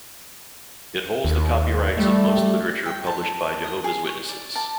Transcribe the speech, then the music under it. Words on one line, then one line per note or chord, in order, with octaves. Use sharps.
It holds the copyrights of most literature published by Jehovah's Witnesses.
D#2
G3 A3
G5
A5
D#6
G#4
C#5
D5
A5